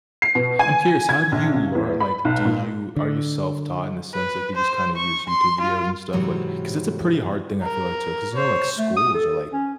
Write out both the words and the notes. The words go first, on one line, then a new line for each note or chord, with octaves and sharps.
I'm curious, how do you learn like, do you are you self-taught, in the sense, like, you just, kinda, use YouTube videos and stuff, like 'cause it's a pretty hard thing, I feel, like to 'cause, you know, like, schools are, like
C7
B2
G#5
G#6
A#1
C#3
E2
B5
B1
A#2
D3
B4
C5
C#6
C6
F4
G#2 C3 E3 F#3 G#3
A#4
C5 C#5
A3
D#6
A4
C#4